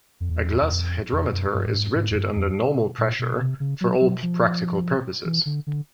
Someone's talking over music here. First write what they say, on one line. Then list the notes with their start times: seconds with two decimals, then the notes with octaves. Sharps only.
A glass hydrometer is rigid under normal pressure, for all practical purposes.
0.20 F2
0.30 E2
0.62 E2
0.70 F2
1.12 F2
1.33 F#2
1.54 G2
1.66 A2
1.74 G#2
1.95 G#2
2.11 F#2
2.16 G2
2.36 F2
2.98 A#2
3.19 B2
3.40 C3
3.60 C#3
3.81 F#3
4.01 F#3
4.23 F3
5.25 E3
5.46 D3
5.67 D3